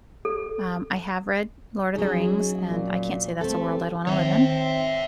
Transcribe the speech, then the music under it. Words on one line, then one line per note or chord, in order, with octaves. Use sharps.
Um, I have read Lord of the Rings, and I can't say that's a world I'd want to live in.
A4
F#3 C#4 D#4 G#4
A#2
A3 C4 G4 A4
D#3 C4 C#5 E5